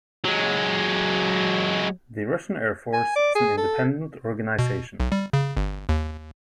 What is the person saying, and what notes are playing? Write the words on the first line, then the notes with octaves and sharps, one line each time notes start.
The Russian Air Force is an independent organization.
F#3 G#3
G#5
D5
G#4
A4
B2
B1
G3
C#3
G1
D#2